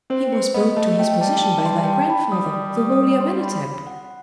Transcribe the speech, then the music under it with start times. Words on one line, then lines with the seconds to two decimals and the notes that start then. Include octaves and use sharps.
"He was brought to his position by thy grandfather, the holy Amenhotep."
0.10 C4 C5
0.33 B4
0.54 B3 D#5
0.76 A3 D#5
0.99 A3 G5
1.21 G3 A5
1.36 G5
1.43 A5
1.66 C6
1.84 G5
1.87 A5
2.10 B5
2.32 G3 D#6
2.76 D#6
2.92 D#6
3.21 C6
3.43 B5
3.87 F#5